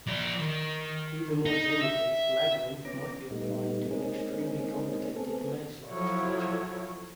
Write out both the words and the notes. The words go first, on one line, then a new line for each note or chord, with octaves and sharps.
Even more generally, "labyrinth" might be applied to any extremely complicated maze-like structure.
F3 D5
D#3
D#4
E5
B3 C#4 A#5 D6
A#2 G3 A3 B3 D#4
G#3 A#3 C4 C#4 D#4 G#4
A3 B3 C4 G#4 A4
F3 F#3 E4 A4 C#5